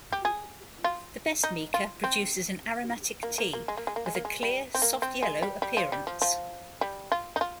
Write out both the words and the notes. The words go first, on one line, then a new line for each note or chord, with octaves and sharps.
The best Mecha produces an aromatic tea with a clear, soft yellow appearance.
G4
G#4
F4
D#4
F4
C4
A#3
A#3
A#3
G#3
A#3
G#3
A#3
G#3
A#3
G#3
G3
C4
A#3
C4
G#3
G3
G3
F3
G3
F3
F3
G3
F4
D#4
F4